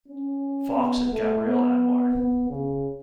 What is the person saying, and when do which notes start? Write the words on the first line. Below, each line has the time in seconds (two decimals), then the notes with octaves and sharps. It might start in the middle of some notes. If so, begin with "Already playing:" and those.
Fox and Gabrielle Anwar.
0.08 C#4
0.76 B3
1.12 A3
1.46 B3
2.16 B3
2.50 C#3